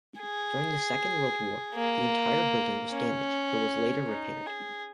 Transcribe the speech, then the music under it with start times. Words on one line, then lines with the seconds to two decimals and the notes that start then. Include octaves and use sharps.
During the Second World War, the entire building was damaged but was later repaired.
0.20 G#4
1.75 A#3
2.91 C#4
4.08 D#4
4.47 G#4